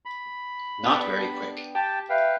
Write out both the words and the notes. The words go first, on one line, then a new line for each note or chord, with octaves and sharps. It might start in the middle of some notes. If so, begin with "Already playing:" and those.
Not very quick.
B5
B3 D4 G4
G4 G5 A5
B4 E5 F5 G5